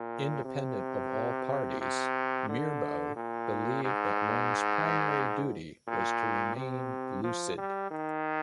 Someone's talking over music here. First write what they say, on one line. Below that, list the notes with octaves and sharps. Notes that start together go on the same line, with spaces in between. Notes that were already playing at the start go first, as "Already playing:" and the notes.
Independent of all parties, Mirbeau believed that one's primary duty was to remain lucid.
Already playing: A#2
C3
C3
D3
A#2
G#2
A#2
C3
F3
G3
D#3